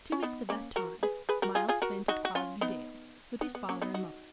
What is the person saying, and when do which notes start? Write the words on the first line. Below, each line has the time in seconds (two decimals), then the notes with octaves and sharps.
Two weeks of that time Myles spent at Crosbey-Dale with his father and mother.
0.12 C#4
0.23 B3 D#4
0.49 A#3 C#4
0.76 F#4 A#4
1.03 G#4 B4
1.29 G#4 B4
1.42 F#4 A#4
1.55 F4 G#4
1.69 F4 G#4
1.82 F#4 A#4
2.08 D#4 F#4
2.25 F#4
2.35 C#4 F4
2.61 B3 D#4
3.41 B3
3.55 B3
3.69 A#3 C#4
3.82 B3 D#4
3.94 D#4 F#4